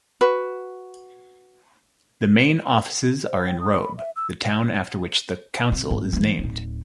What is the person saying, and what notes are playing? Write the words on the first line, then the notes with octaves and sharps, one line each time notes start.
The main offices are in Robe, the town after which the council is named.
F#4 B4
C5
G5
D#6
B5
E5
E6
C3
G#1 A#3
E3 A#3
D1 D#4